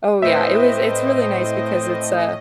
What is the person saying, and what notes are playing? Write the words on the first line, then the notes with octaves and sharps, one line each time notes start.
Oh, yeah. It was it's really nice because it's, uh,
A2 C4 B4 D#5 E5